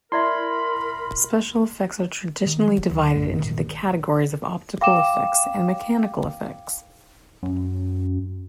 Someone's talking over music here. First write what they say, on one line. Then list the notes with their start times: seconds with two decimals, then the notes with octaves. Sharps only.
Special effects are traditionally divided into the categories of optical effects and mechanical effects.
0.12 E4 A#4 D5 E5 B5 C6
2.46 D#3
2.68 F#3
2.91 D2
3.16 A#1 F#2 A3
3.39 G#1 A#2 D#3
4.81 F5 G5 D6 E7
7.43 F#2